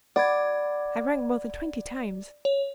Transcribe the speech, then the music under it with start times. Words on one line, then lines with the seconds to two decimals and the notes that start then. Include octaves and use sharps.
I rang more than twenty times.
0.16 D5 F#5 B5 G#6
2.45 C#5